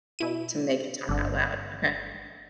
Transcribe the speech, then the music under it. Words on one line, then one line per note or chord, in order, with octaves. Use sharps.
to make it talk out loud. Okay.
B2 E4 D#7
G1 D3 D4